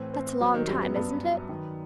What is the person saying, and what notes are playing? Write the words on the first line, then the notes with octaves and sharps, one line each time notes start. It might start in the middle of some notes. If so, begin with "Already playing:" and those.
That's a long time, isn't it?
Already playing: A2 E3 C4
C4
F#3
D#3
F#2 G3
B3
G2 B3
F#3
D#3